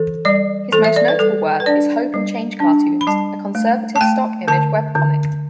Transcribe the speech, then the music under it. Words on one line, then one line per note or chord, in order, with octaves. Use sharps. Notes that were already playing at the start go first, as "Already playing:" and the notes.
His most notable work is Hope n' Change Cartoons, a conservative stock image webcomic.
Already playing: E3 A4
G3 D5
E3 A4
E5
D5
B4
G3 A4
B4
D4 D5
G3
D4
B5
G3 A5
A3
A5
A3 G5
D3 A5
D3